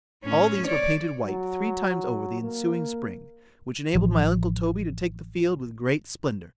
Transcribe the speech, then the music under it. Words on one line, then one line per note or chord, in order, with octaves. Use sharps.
All these were painted white three times over the ensuing spring, which enabled my uncle Toby to take the field with great splendour.
A2 C#4
C#5 D5
F#3
A#3
A1 E3 F3